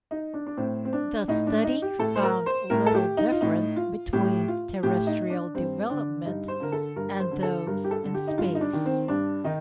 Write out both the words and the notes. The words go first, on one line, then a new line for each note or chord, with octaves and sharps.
The study found little difference between terrestrial development and those in space.
D#4
D4
D4
A2 C4
C4
D4
A2 D#4
D4
D#4
G4
A2 A4
C5
A#4
C5
A2 A#4
A4
G4
D#4
F4
A2 D#4
F4
A2 G4
F4
A2 G4
D#4
D4
G2 C4
D3 D4
G2 D#4
C5
D3 A#4
A4
G2 A#4
C5
D3
A4
G2 A#4
G4
A4
D3
G4
D#4
G2 F4
D#4
D4
D#3
C4
G2 D4
D#3 D#4